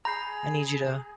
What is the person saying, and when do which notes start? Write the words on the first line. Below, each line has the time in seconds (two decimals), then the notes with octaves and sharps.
I need you to
0.05 G#4 A#5 B5 G6 C7